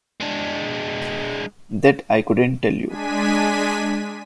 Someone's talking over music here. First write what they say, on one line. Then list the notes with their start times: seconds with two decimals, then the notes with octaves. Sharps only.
That I couldn’t tell you.
0.20 G#3 D4
2.88 G#3 D4 G#5 B6 D#7